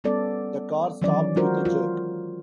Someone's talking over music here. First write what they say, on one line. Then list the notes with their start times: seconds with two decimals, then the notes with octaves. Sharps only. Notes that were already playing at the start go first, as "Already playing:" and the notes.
The car stopped with a jerk.
0.04 G3 B3 C#4 A4 D5
1.02 D#3 E3 F#3 C#4 D5
1.36 F#3 G#3 F4 F#4 A#4 C5
1.65 F4